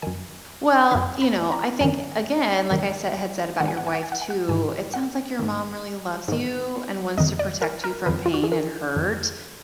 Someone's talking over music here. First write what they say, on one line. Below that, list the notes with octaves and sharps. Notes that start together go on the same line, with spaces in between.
Well, you know, I think, again, like I said had said about your wife too, it sounds like your mom really loves you, and wants to protect you from pain and hurt.
F#2 D#3 G#5
F#2 D#3 B5
B5
A#5
F#2 D#3 G#5
F#2 D#3
G#2 D#3 F#5
G#5
F#5
G#5
F#5
G#5
F#5
G#5
F#5
G#2 D#3 G#5
F#5
G#2 D#3
G#2 D#3
F2 D#3 D#5
D5
A#4
A#4
F2 D#3 B4
F4
F#4
G#4
A#4
F2 D#3